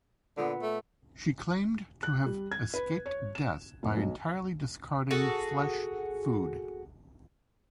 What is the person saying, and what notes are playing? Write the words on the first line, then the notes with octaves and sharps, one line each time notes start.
She claimed to have "escaped death by entirely discarding flesh food".
A#2 D3 B3
A3
F#6
G3
G#6
B4
C#5
E7
F1
B1
F#4 G#4 A4